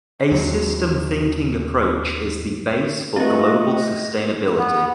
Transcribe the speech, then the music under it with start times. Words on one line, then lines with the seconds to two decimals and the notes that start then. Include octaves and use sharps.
A system thinking approach is the base for global sustainability.
0.31 D#2 F#3
3.16 A3 C4 F4 A#4 B4 D#5 F#5
4.58 B3